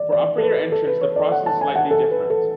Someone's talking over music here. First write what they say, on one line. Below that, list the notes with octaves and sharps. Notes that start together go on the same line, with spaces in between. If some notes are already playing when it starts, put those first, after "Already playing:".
For upper year entrance the process is slightly different.
Already playing: D5
D5
A4
B4
A4
B4
C#5
D5
F#5
A5
G#5
F#5
A4
B4
A4